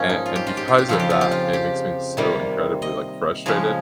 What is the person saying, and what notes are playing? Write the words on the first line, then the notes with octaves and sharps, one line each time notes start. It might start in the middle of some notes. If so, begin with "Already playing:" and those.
and and because of that, it makes me so incredibly, like, frustrated,
Already playing: G#2 F3 A#3 C#4
D#4
F4
G4
F4
G4
F4
G4
F2 C#3 F3 F4
G4
F4
G4
F4
G4
C3 D#3 G3 A#3
D#5
C#3 F3 G#3 C#4